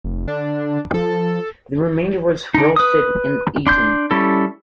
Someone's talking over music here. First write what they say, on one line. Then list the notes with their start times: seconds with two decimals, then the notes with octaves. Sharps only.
The remainder was roasted and eaten.
0.04 F1
0.28 D3 D4
0.94 F3 A4
2.54 D3 D#4
2.76 B4 D#6
3.67 D4 C6 G6
4.11 G3 C#4 E4 A4